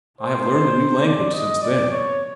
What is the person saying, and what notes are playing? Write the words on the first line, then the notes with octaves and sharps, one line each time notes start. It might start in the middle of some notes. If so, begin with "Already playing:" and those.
I have learned a new language since then.
C5
D5
D#5
D5
C#5